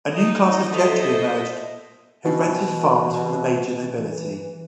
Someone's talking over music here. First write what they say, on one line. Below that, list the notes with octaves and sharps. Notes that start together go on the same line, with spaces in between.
A new class of gentry emerged who rented farms from the major nobility.
D#4 D#5
A4 C5 D#5 E5
B2 E3